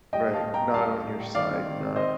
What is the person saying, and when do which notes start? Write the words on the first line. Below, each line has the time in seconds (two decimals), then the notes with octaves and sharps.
Right, not on your side, not
0.13 G3 D#5 G5
0.28 A2
0.33 F5 A5
0.43 A2
0.54 A#3 G5 A#5
0.74 G3 F5 A5
0.90 A2
1.05 A2
1.20 A2
1.35 D#3 D5 F5
1.51 C4
1.65 D#3
1.80 C3
1.96 C3 C5 D#5